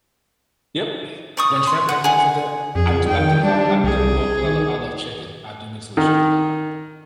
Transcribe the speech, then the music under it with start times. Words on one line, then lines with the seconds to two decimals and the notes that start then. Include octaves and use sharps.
Yep. I've done shrimp and everything else like that. I do I do have I do well, 'cause I l I love chicken. I do mix it with chicken though,
1.37 D5 C#6 D#6
1.67 C6
1.89 F#5
2.04 G#4 F#5
2.75 F2 G#4
3.08 D#3 G5
3.43 G3 D4
3.84 C2 G#4
4.43 D#3
5.97 D#3